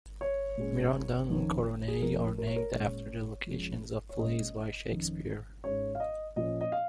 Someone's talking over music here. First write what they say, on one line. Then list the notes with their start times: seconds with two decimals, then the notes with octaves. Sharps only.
Mirandan coronae are named after the locations of plays by Shakespeare.
0.21 C#5
0.57 A#2 G#3 C#4
1.30 F2 D#3 C#4
1.88 G#4
2.02 F2 F3 A#3 C#4 A#4
2.38 A#4
2.47 C#5
2.56 A#4
2.74 A#2 G#3 C#4 C#5
3.47 F2 F3 G#3 C#4
4.09 C#5
4.19 A#2 G#3 C#4 D#5
4.91 F2 D#3 C#4
5.64 G#2 G#3 C#4 C#5
5.95 F5
6.00 D#5
6.36 A#2 F3 A#3 C#4 D#5
6.61 D#5
6.72 F5